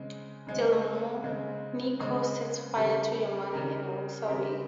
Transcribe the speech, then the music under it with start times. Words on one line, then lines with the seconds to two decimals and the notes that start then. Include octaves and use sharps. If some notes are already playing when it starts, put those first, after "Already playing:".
Delmonico sets fire to the money and walks away.
Already playing: C#3 G#3 C4
0.47 C#3 G#3 C4
1.23 C#3 G#3 C4
1.99 C#3 G#3 C4
2.76 C#3 G3 C4 G4 A#4
3.52 C#3 G3 C4 G4 A#4
4.28 C#3 G3 C4 G4 A#4